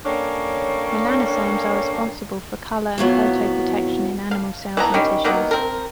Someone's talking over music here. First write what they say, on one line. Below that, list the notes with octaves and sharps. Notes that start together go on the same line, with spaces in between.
Melanosomes are responsible for color and photoprotection in animal cells and tissues.
G3 A#3 C#4 D4 A4 C#5
F2 A2 F#3 B3
F5
E3 B3 A#5
D#3 G3 C#4
D#3 F#3 A#3 B3
C4 A#4